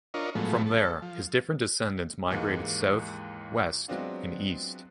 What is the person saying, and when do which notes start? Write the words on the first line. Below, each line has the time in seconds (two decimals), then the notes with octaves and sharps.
From there, his different descendants migrated south, west, and east.
0.14 D4 F4 A#4 C#5 D#5
0.35 A2 F3 F#3 G#3 A3 B3
0.66 A4
1.02 F3
2.31 D#2 G#2 E3 G#3 A#3
3.88 F#3 G#3 B3 C4 D4 F4